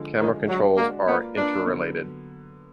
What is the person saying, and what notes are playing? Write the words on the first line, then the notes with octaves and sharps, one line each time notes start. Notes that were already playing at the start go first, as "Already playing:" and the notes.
Camera controls are interrelated.
Already playing: D3 F3 G#3
D3 D#3 F3 G#3
F#3 G#3 D4 F#4
G#3 A#3 D4 F#4
A#3 B3 F4 B4 D5
A#3 D4 F4 B4 D5
D3 F#3 B3